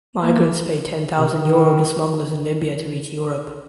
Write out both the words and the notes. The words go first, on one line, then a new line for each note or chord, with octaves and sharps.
Migrants pay ten thousand Euro to smugglers in Libya to reach Europe.
A#3
C3
D#3